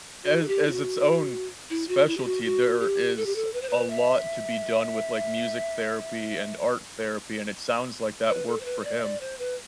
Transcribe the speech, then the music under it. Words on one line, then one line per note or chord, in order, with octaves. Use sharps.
as as its own specialty, there is a lot to be done with, like, music therapy and art therapy, and it sounds, like, that worked for him.
F#4
A4
G4
E4
F#4
E4
F#4
E4
G4
F#4
F#4
G4
A4
G4
A4
B4
C5
B4
E5
B4
A4
C5
B4
C5
D5
E5
D5
C5
B4